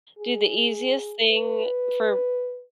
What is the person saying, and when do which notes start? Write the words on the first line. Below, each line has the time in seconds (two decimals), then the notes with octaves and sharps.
do the easiest thing for
0.18 G#4
1.30 B4